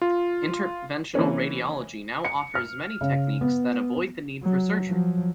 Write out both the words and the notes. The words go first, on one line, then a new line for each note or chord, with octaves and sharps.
Interventional radiology now offers many techniques that avoid the need for surgery.
F4
E3 A#3 C4 C#4
C#7
F6
C#3
B3
F#3
F3 F#3